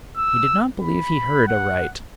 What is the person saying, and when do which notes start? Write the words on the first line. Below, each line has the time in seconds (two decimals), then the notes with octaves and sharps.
He did not believe he heard aright.
0.18 E6
0.82 B5
1.47 F#5